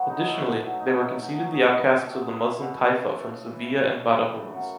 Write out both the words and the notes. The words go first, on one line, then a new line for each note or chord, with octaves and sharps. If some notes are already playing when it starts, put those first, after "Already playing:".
Additionally, they were conceded the outcasts of the Muslim taifa from Sevilla and Badajoz.
Already playing: F#3 B3
D#4
A3
B2
F#3
D#4
A3
B2
F#3
G#4
E4
B2
A3
G#4
E4
B2
A3
C#3
A3
C#3
E3
C#3
A3
C#3
E3
F#2
F#3